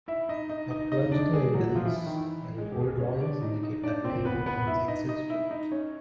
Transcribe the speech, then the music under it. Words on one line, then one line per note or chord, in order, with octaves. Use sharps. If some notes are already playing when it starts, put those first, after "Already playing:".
Archaeological evidence and old drawings indicate that many more once existed.
E4 E5
D#4 D#5
D#4 D#5
D#4 D#5
D#4 D#5
D4 D5
G#3 G#4
F#3 F#4
F3 F4
E3 E4
E3 E4
D#3 D#4
E3 E4
G#3 G#4
G4
G#3 G#4
C#4 C#5
D4 D5
D#4 D#5
D#4 D#5
D4 D5
C4 C5
B3 B4
B3 B4
E4 E5
D#4 D#5
D#4 D#5
E4 E5
D#4 D#5
C#4 C#5